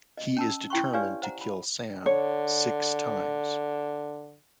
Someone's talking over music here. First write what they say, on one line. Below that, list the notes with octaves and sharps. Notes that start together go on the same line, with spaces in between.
He is determined to kill Sam "six times".
D#5
C#4 A5 E6
E4 G5 C6 C#6
G4 B4 C#5 D5 F5 G#5
C5 F#5 A#5
B5
D3 C#5